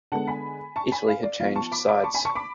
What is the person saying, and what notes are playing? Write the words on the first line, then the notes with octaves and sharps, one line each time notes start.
Italy had changed sides.
D3 G#3 B3 F#5 A5
G#5 B5
A5 C#6
G#5 B5
F5
D5
F3 B3 F5
A5 C#6
B5 D6
B5 D6
A5 C#6
G#5 B5
A5 C#6
B5 D6